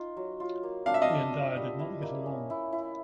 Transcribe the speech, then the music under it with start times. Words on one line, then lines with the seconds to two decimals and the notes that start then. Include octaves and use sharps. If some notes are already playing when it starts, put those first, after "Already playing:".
He and Dyer did not get along.
Already playing: D#4 F4
0.17 F#3
0.40 F4
0.63 A#3
0.86 D4 F5
0.94 E5
1.02 D#5 F5
1.10 D4
1.33 D4
1.56 G3
1.80 E4
2.03 A#3
2.26 C#4
2.50 E4
2.73 E4